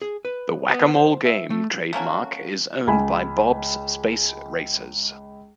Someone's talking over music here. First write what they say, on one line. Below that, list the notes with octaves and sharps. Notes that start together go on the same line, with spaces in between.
The Whac-A-Mole game trademark is owned by Bob's Space Racers.
G#4
B4
B3
C5
E5
A3
A3 A#3 C#4 F#4
C#2 G#5 B5